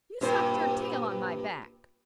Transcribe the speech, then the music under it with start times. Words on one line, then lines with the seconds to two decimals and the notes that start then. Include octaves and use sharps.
"You slapped your tail on my back!"
0.21 G2 A#2 C5